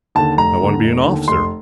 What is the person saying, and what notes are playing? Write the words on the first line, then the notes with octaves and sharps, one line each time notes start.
I want to be an officer.
D#2 D3 A5
F1 A#5
D#2 D3
F1
D#2 D3
F1 C6